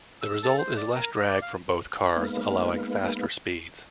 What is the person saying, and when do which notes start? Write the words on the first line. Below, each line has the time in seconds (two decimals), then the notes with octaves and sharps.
The result is less drag for both cars, allowing faster speeds.
0.22 E6
0.43 A4
0.58 C5
0.77 D5
0.95 A#4
1.17 D#5
1.28 D5
1.42 F5
2.16 G#3 A#3 B3 D#4 B4 F5